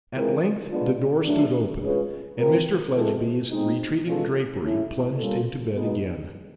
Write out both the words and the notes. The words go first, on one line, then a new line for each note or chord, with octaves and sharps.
At length the door stood open, and Mr Fledgeby's retreating drapery plunged into bed again.
E3 G#3 C4 F4 A#4
G#3 B3 D4 F4
F#3 A3 D4
G#3 C#4 F4 G#4 B4
A3 C4 F4 A#4
B2 G#3 C4 E4 A4
G#3 C4 D#4
B2 G#3 C#4 F4 A4
A3 C#4 E4
G3 A#3 C#4 F4 A4
B2 G#3 B3 D#4